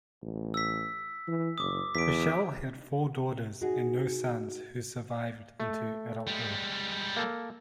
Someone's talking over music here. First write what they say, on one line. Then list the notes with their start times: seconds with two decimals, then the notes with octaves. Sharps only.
Fischel had four daughters and no sons who survived into adulthood.
0.22 A1
0.54 E6 B6
1.28 E3
1.58 F#1 D6 D#6
1.95 E2 B6 D7
3.61 D#4 F#4 G#4
5.60 A3
6.27 G3 G#3
7.16 A#3 A4